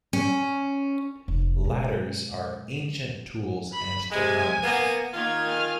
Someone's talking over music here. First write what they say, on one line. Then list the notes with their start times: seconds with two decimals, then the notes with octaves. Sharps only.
Ladders are ancient tools and technology.
0.13 C#4
1.28 F1
1.64 B2 G#3
3.73 B5
4.12 C3 G#3 G#5
4.64 A#3 B3
5.14 D#3 A#3 F4 G#6
5.49 G#5 F6